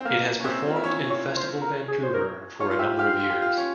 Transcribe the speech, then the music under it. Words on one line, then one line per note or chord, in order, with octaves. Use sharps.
It has performed in Festival Vancouver for a number of years.
C4
A#3 F5
C#4
C4 E5
F4
E4
C#4 C#5
C#5
C5
A#4
G#4
C5
A#4
F4 C#5
F4
G4 E5
G4 F5
F4
G4
F4
C#4